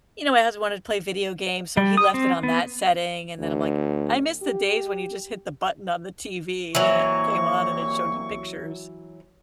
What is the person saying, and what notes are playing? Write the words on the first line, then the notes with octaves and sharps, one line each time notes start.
you know, my husband wanted to play video games, so he left it on that setting, and then I'm, like, "I miss the days when you just hit the button on the TV and it came on and it showed you pictures."
G3
D#6
C4
B3
D2
G4
C2 E3 F#3 A#3 C#6